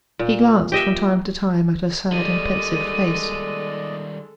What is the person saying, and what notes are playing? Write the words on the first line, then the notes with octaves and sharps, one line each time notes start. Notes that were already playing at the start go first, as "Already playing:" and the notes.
He glanced from time to time at her sad and pensive face.
A#2
G4 D#5 E5
D#3 G3 G#3 A4 D5 D#5 D#7